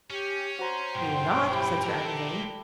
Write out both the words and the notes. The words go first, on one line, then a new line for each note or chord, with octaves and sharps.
"We will not," said Sir Agrivain.
C#4 G4
F#4 C5 A#5
B1 G2 G5
E4 G4 B5
A4 A#4 D5 A5